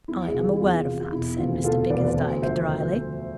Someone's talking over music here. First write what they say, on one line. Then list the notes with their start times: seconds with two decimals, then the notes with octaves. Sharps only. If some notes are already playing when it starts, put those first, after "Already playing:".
'I am aware of that,' said Mr Bickersdyke drily.
0.08 E2 E4
0.27 G#4
0.34 C3 E3 F4
0.53 E4
0.60 E2 F4
0.73 E4
0.86 C3 E3 F4
0.99 F4
1.12 E1 E4
1.38 D2 C3 E3 F4
1.64 E1 F4 A4
1.90 D2 C3 E3 B4 D5
2.03 B4 D5
2.16 D2
2.42 D3 F3 C5 E5
2.68 D2
2.94 D3 F3